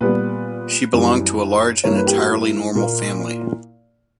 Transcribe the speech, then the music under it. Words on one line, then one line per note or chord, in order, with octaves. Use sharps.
She belonged to a large and entirely normal family.
A#2 G3 B3 B4
F#2 E3 G3
G2 E3 A#3 C#5
B4
G4
F#4
E4
A#2 A#3